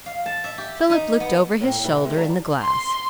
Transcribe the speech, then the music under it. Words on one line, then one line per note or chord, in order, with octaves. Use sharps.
Philip looked over his shoulder in the glass.
F5
A5
E5
G4
D#4
B3
A2 A#3 C4 G5
D2 B2 E3 E4 G4
E3 G#3 A3
G#3 G4 D5 F5 A5 A#5
C6